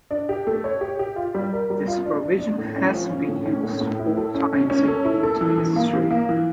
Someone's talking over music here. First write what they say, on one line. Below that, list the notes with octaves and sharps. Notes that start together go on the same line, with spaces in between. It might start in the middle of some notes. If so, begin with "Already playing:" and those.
This provision has been used four times in Court history.
D4
G4
A3
C#5
G4
G4
F4
G3
A#4
G3
F4
D4
D4
D4
A2
C#4
F3
C#4
A2
C#4
A2
A2
E4
A4
C#4
C#4
C#4
A4
E4
A4
E3
E3
A#3
E3
A#3
E3